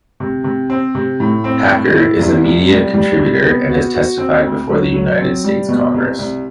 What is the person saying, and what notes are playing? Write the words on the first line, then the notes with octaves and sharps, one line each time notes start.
Hacker is a media contributor and has testified before the United States Congress.
C3
C3
C4
C3
A2
C4
A2
E4
C2
C2
G3
G3
C3
B3
F#4
F#4
C4
D2
F#3
F#3
C4
G3
B2
C2
C2